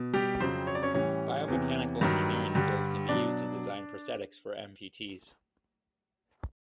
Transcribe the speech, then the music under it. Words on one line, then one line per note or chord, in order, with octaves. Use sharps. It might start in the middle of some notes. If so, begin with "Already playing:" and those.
Bio-mechanical engineering skills can be used to design prosthetics for amputees.
Already playing: B2
G3 G4
F2 C#3 F#3 C4 C5
C#5
D5
C#4 C#5
A2 E3 G3 C#4 C#5
E2 C3 E3
G2 D#3 F#3
G2 D3 G3
B2 F#3 D4 D5